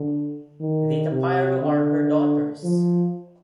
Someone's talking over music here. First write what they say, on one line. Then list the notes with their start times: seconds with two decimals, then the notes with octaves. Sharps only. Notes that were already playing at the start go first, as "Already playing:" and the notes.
The Tapairu are her daughters.
Already playing: D3
0.61 D#3
1.11 C3
1.62 D3
2.64 F3